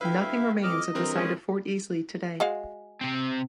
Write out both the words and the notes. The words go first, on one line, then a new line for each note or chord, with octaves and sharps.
Nothing remains at the site of Fort Easley today.
D2 E4 B4 E5 F5 G5
F2 D#5 D6 F6
G2 E3 C4 A#4 A#5
G#3 C#4 G#4
G#3 F#4 F5
C3 C4